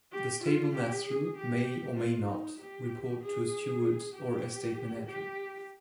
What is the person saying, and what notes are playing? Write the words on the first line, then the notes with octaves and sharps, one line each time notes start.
The stable master may or may not report to a steward or estate manager.
G4
F4
G4
G#4
G4
F4
D#4
G4
G#4
G4
G4